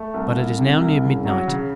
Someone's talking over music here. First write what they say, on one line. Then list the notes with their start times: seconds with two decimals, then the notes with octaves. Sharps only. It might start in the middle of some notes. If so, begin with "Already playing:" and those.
But it is now near midnight.
Already playing: A3
0.14 C2
0.36 C2
0.59 C3
0.81 C2
1.03 C#3
1.25 F#3
1.48 C#3